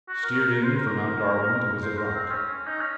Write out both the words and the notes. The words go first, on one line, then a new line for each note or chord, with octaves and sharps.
Steered in for Mt. Darwin to visit rock.
F#4
A#4
A#4
A#4
C5
A#4
C5
A#4
C4
C#4
C#4
D#4
C#4